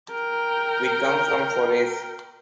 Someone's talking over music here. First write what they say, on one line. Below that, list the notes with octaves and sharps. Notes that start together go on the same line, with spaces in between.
We come from Forès.
A#4 G5